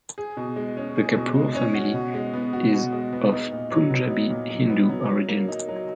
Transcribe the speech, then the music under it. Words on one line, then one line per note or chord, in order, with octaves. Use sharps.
The Kapoor family is of Punjabi Hindu origin.
G#4
B2
G#3
C#4
G#4
B2
G#3
C#4
F#4
B2
G#3
B3
F#4
B2
G#3
B3
D#4
A#2
F#3
B3
D#4
A#2
F#3
B3
F#3
F#3
A#3
D#4
F#3